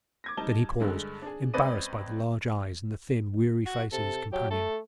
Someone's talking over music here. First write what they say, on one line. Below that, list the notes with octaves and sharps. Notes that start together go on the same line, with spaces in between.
Then he paused, embarrassed by the large eyes and the thin, weary face of his companion.
D6 G#6 A#6
G3 D#4 A5 G7
G2 D3 G#3
D4 G#4
C#2 C4 B4 D5 D#5 D#7
F#4
C3 A4
F#3 G4
A3 A4